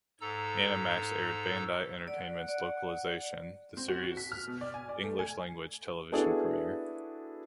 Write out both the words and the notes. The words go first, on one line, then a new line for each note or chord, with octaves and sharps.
Animax aired Bandai Entertainment's localization, the series' English language television premiere.
G#2 A4 A#5 E6
D5 F#5
D5
C4
F#4
F#4
B6
F6
B2
D5
G#5
D5
A3
G#5
B3 D4 E4 F#4 G#4 A4